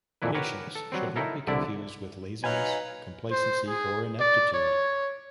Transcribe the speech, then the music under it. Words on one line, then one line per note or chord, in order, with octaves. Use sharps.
Patience should not be confused with laziness, complacency or inaptitude.
F2 A#2 E3 E4 B4
G4 A#4 B4 C#5 F#5
A4
F#3 G3 C4
D#4 E4 A4 A#4
C2 D3 E4 D5 E5
F#3 D#4 B4 F5 G#5
C5
G#4
D5
C#5